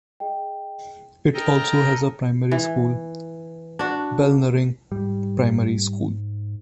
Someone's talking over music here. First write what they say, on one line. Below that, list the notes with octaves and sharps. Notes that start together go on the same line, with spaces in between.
It also has a primary school, Balnarring Primary School.
G#4 D#5 G5
A4 A#4 D#5 G5 A#5
E3
D4 F#4
G#2 G3